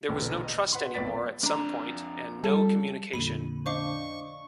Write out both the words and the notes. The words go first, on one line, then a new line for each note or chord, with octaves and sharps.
There was no trust anymore at some point and no communication.
E1 A#1 D3 B3
D#5
B4 F#5 B5 C6
B1 F2 B4 D5 A6 B6
F2 D4 A#5
G3 A4
F2 A#2 D3 B5 D#7
D4 C5 D#5 F5 C#6 D6